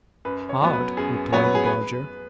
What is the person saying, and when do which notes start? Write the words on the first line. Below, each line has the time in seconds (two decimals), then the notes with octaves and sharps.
'Hard,' replied the Dodger.
0.25 F#2 B4
0.49 C#5
0.61 F#3 B3
0.73 B4
0.97 F#2 G#4
1.32 F#3 B3 C#5
1.44 B4
1.55 G#4
1.65 B4